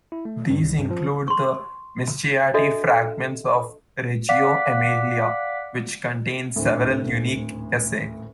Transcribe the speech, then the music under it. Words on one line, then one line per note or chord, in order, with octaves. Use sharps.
These include the Mischiati fragments of Reggio Emilia, which contain several unique cacce.
E4
A3
G2
C2
G2
F3
C6 C#6
D4 F#4 A4 D#5 E5
D5 F5 F#5 D6 F#6 B6
D#1 D2 A2 C4